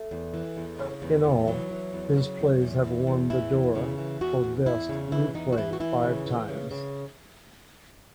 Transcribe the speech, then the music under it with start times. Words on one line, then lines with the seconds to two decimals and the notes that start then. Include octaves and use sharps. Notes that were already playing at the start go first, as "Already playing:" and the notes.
In all, his plays have won the Dora for best new play five times.
Already playing: A3
0.11 E2
0.34 E3
0.57 E2
0.79 C#3
1.02 E2
1.25 E2
1.47 E3 F#3
1.71 E3
1.93 E2
2.16 C#3
2.39 E2
2.61 E2
2.84 E3
3.07 E2
3.30 E3 E4
3.52 E2
3.75 C#3
3.98 E3
4.21 E2 F#4
4.44 E2
4.66 E2 E4
4.89 C#3
5.12 E3 E4
5.34 E2 D#4
5.52 F#4
5.57 E3 E4
5.73 F#4
5.80 E3 E4
6.03 C#3
6.26 E3
6.48 C#3
6.71 C#3